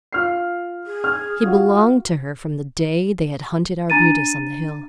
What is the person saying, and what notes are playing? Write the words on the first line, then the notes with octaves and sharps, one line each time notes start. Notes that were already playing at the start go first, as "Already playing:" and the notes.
He belonged to her from the day they had hunted arbutus on the hill.
F4 F6 C7
G#4
F6
F4 F#4
D4 A#5 A6 D#7